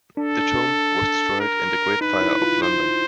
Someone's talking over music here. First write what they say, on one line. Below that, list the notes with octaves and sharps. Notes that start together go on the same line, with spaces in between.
The tomb was destroyed in the Great Fire of London.
D4 A4
A#4
D#4 B4
E4
F4
C5